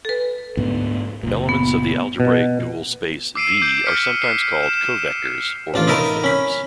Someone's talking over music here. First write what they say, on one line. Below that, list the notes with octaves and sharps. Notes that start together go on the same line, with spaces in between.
Elements of the algebraic dual space "V" are sometimes called covectors or one-forms.
A4 B4
D2 G#2 B3
F#1 A#2
B3
B2
D6 E6 C7 D7 D#7
D6 G6 D7
D6 F6 B6 C#7
B6 C7
E7
A1 D4 F4
D#4 E4 A#4 D#5
C#4 B5